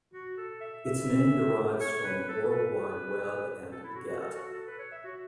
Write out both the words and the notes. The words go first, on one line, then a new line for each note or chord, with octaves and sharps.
Its name derives from "World Wide Web" and "get".
F#4
A4
E5
E5
C#5
B4
A4
B4
A4
E4
F#4
F#4
A4
F#4
A4
B4
C#5
E5
F#4